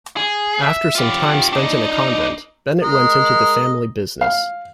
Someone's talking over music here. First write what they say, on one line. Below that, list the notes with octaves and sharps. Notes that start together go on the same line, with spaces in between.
After some time spent in a convent, Bennett went into the family business.
G#4
E5
F4 G4
D4 D#4
G#3 A#4 D#5
F5